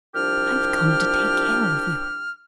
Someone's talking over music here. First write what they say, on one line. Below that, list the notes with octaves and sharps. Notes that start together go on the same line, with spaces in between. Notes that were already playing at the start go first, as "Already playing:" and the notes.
I've come to take care of you.
C2 F3 D4 G4 F6